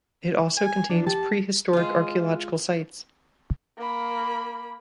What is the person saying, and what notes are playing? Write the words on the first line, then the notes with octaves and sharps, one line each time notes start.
It also contains prehistoric archaeological sites.
G#5
F3 D4
G4 A5
G#3 F4
A#3 B5